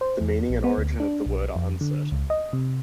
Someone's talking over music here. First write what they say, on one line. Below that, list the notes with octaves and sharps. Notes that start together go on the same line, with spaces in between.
The meaning and origin of the word are uncertain.
C5
E2
A#1
B3
D2
D4
B1
F2
D3
C#2
D#5
C3